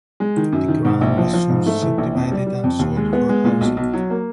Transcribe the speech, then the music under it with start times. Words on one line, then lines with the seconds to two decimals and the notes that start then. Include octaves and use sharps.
The ground was soon subdivided and sold for housing.
0.20 G#3
0.36 D#3
0.52 F#2
0.68 D#3
0.85 G#2
1.01 A#1
1.17 F3
1.33 F3
1.49 G#2
1.66 A3
1.82 E3
1.98 A#1
2.15 F2
2.32 G3
2.47 G3
2.64 F2
2.79 D#2
2.97 G#3
3.13 B3
3.29 G#3
3.45 A#2
3.61 B1
3.77 B1
3.93 F#3
4.10 A#3